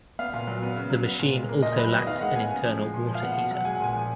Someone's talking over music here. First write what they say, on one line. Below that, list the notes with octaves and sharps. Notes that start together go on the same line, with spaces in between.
The machine also lacked an internal water heater.
B3 F5
A#2
F#3
B3
C#3
F#3
B3
A#2
G#3
A#3
A#2 D#5
F#3 B4
B3 D#5
D#3 F5
G#3 F#5
B3 G#5
C#3
F3
G#3
A#2
F3
F5
B3 F#5
B2 F#5
F#3 F#5
G#3 G#5
F#5
A#2 G#5
F3